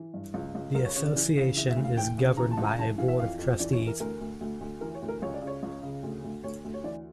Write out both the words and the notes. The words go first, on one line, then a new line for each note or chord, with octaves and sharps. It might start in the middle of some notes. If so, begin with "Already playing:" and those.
The association is governed by a board of trustees.
Already playing: E3
G2
C#2
C#2
C#2 A#4
C#5
C#3 C#5
D5
E3
C#3
E3 E5
E5
D2
F5
E3 G5
C#3
E3 A#5
A5
C#2
A#5
E3 A5
E3 F5
E5
F2 F5
F2
E3 D5
C#5
E3
A#4
D2 A#4
D2
D2
D2
E3 A#4
C#5
D2
A#4
C#2 C#5
D5
C#3
C#5
C#2
C#3
D2
D2
D2 C#5
D2
C#5
E3 D5